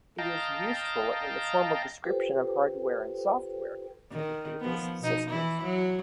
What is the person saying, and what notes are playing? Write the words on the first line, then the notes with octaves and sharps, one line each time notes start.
It is useful in the formal description of hardware and software for computer-based systems.
D#5 F5 G5 A5 A#5
F4 G4 A4 B4 C5 G5
D#3
F3 B3
B2 D#4
E3 E4
F#3